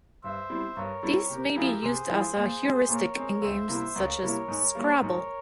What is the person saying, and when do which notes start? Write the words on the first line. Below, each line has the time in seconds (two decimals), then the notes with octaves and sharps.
This may be used as a heuristic in games such as "Scrabble".
0.23 G2 C5 E5
0.50 G3 C4 E4
0.76 G2 A#4 C#5
1.03 G3 C4 E4
1.29 C3 G4 A#4
1.56 F3 G#3 E4
1.83 C3 G#4 C5
2.09 F3 G#3 E4
2.36 A#2
2.62 G#3 C4
2.89 A#2 A#4 C#5
3.15 G#3 C4
3.42 C#2 C5 E5
3.68 C3 G3 A#3 E4
3.95 C#2 A#4 C#5
4.22 C3 G3 A#3 E4
4.48 G#2
4.75 G3 A#3
5.01 G#2 A#4 C#5